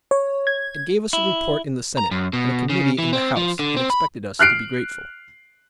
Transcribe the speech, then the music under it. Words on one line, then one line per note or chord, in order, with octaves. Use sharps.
It gave us a report in the Senate and a committee in the House and expected us to be grateful.
C#5
G#6
E4
A#5
F#2
B2
C#3
E3
C4
F3
D3
C4
B5
F6 F#6 C7 D7